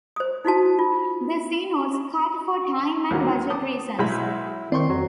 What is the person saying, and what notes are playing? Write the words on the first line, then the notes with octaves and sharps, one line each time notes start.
The scene was cut for time and budget reasons.
C5 D#6
D#4 E4 F#4 A5
F4
D#2 D3 F#3
A5 D6 D#6
B1 G#3 E4 B5
D#3 C4 D5 C6 C#6
F2 F#3